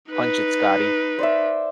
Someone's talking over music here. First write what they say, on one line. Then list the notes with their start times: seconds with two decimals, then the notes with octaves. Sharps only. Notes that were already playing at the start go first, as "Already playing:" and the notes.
"Punch it, Scotty"
0.11 D#4 B4
1.19 C5 D5 E5